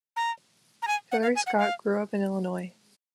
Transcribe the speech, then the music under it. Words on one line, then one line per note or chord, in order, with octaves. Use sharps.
Hillary Scott grew up in Illinois.
A#5
A#5
G#5
F#5
F5
G#5
F#5
F5